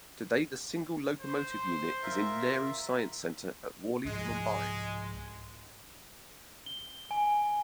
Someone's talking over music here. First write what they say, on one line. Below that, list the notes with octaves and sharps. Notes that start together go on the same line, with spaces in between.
Today the single locomotive unit is in Nehru Science center at Worli Mumbai.
C5
F4 A#4 E5
C2 G#2 F3 G#3
G7
G#5